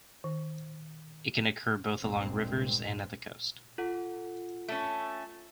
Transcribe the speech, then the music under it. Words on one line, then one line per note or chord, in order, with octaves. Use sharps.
It can occur both along rivers and at the coast.
D#3
F1 D2 G2 A#2 G#3 C4
F4 A4 F#5
A3 C#4